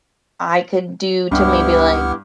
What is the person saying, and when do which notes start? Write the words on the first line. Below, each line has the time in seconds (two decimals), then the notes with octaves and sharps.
I could do to maybe, like,
1.32 C#2 G2 B3 E4 G4 F#5 F6